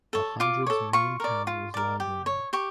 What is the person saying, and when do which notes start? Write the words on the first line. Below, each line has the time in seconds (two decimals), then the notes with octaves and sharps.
The hundred's main town was Loughborough.
0.13 A4 C#5
0.40 F4 D6
0.67 A4 C#5
0.93 F4 C#6
1.20 A#4 D5
1.47 F4
1.74 A#4 D5
2.00 G4
2.26 C#5
2.53 G4 C#6